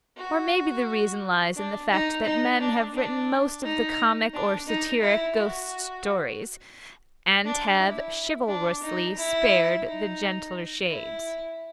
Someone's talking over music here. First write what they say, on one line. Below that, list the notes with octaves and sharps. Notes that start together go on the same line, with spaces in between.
Or maybe the reason lies in the fact that men have written most of the comic or satiric ghost stories, and have chivalrously spared the gentler shades.
F#4
D4
D#4
D#4
D4
D4
D#4
D4
D#4
E4
F#4
D4
E4
D4
D#4
E4
D#4
E4